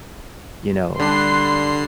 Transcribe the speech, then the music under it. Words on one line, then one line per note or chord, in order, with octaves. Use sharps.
you know,
D3 G3 D4 B4 C6 C7